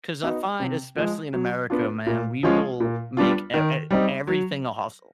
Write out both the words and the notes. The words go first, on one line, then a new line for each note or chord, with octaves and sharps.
'Cause I find, especially in America, man, we will make e e everything a hustle.
B3 D#4 F#4
C3
F3 G#3
F#3
B3 D4 F4
A#2
F3 G#3 C#4 F4
A#2
G3 B3 D4 F4
D#3
G3 C4 D#4
F#3